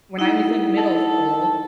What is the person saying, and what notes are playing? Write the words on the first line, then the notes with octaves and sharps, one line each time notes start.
When I was in middle school
D#4 E4 F#5
A4